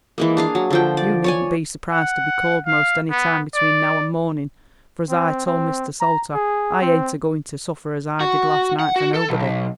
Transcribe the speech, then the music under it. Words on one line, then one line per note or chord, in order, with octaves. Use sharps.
"You needn't be surprised to be called most any time between now an' mornin'; for, as I told Mr. Salter, I ain't a-goin' to suffer as I did last night for nobody."
E3 G#3 A#3
D4 G#4 F5
F#3
D3 F3 G5
D5
C#5 D5 G#5
F#5
F5
B3
D5
C4
C4
A#5
G#4
C4
F#4
F#5
F#4
A4
B1